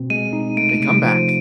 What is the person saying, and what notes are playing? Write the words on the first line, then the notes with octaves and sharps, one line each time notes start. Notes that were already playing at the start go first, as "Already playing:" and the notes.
they come back,
Already playing: B2 C4
G#3 D#7
D#4
A3 D7
D#7
C3 D7
F3